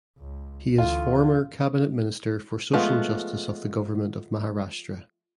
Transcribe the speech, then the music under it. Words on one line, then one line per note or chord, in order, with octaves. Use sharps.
He is former cabinet minister for Social Justice of the Government of Maharashtra.
C#2
D2 E3 F4
F3 G#3 A3 B3 F4